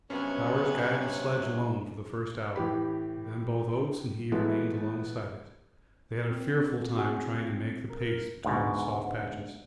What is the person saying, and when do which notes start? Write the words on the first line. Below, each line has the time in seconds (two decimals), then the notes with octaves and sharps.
Bowers guided the sledge alone for the first hour, then both Oates and he remained alongside it; they had a fearful time trying to make the pace between the soft patches.
0.10 G2 C3 F#3 B3 C#4 G#5
2.56 A2 E3 G4 B5
4.32 E3 F#3 G#3 A3 B3 E4
6.30 C4
6.97 F#4 G#4
7.90 A#4
8.45 D2 G#2 B2